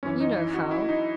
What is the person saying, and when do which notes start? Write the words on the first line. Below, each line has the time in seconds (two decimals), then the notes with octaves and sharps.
You know how!'
0.03 F#2 E3 C#4
0.21 D#4
0.36 E4
0.54 F#4
0.71 E4
0.89 D#4